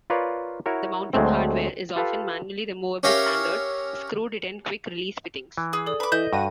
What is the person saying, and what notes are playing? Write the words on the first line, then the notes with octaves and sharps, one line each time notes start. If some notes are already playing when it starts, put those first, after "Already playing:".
The mounting hardware is often manually removable standard-screw-detent quick-release fittings.
F4 A#4 B4 C#5 D5 F5
E4 F#4 A#4 C#5
D2 F#3 G#3 A3 C4
F4 G4 A4 B4 F5
C#4 G4 A#4 E5 F5
E3
G#4
A4 D5 D#6
B4 B5 D6
E3 A4 D#5 E5 G6
G2 F#4 A#6 D#7